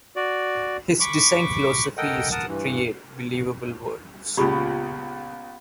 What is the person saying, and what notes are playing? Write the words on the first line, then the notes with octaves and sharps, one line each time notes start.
His design philosophy is to create believable worlds.
F#4 D5
B5 C#6 D6
A4 A#4 D#5 F#5 G5
A#4 F#5 A5 D#6
G2 E3
C#2 A#2 C#3 B3 F4 G4 B5 C#6